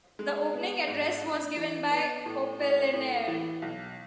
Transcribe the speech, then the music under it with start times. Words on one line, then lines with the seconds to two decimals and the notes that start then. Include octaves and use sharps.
The opening address was given by Apollinaire.
0.19 G#3
0.54 B3
0.87 G#2
1.22 D4
1.57 E3
1.91 B3
2.26 A2
2.59 A2
2.93 A2
3.28 E3
3.62 B1